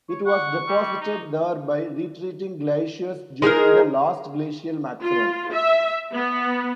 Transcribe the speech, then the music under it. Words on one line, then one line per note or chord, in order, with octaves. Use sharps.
It was deposited there by retreating glaciers during the Last Glacial Maximum.
C#5
F#5 C#6
G3
D#4
G#3 D#4 G#4 A#4
F4
E5
B3